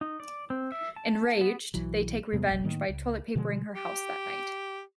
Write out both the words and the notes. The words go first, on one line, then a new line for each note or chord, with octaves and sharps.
Enraged, they take revenge by toilet papering her house that night.
D#4
D5
C4
E5
A5
B3
B1 E3 F#3
E2 C3 G#3 B3
F1 A#1
A2 D#3 A#3
C#2
B2 D3 F3 G#3
G4